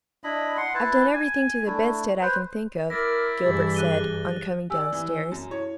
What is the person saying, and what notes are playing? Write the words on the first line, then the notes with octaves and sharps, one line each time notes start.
"I've done everything to the bedstead I can think of," Gilbert said, on coming downstairs.
D4 E4 D#5 B5
F#5 C6
E4 B4 A5
G#5
A3 D4 E4
B4 C5
E4 A#4 D6 A6 A#6
G2 E3 G4 G#4 A6
F#6 D#7 G7
G4 D5 G#5 E6
E3
F#2
E4 C#5